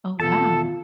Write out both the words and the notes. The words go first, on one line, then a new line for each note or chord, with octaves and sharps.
Oh, wow.
E2 B2 F4 A4 A5